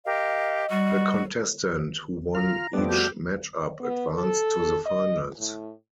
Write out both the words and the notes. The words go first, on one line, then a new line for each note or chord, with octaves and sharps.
The contestant who won each matchup advanced to the finals.
G4 A#4 D#5 F5
G3 F#4
F4 A#5 F6
F2 G3 A3 B3 D5
F#4 G4
B3
A4
D#5
A2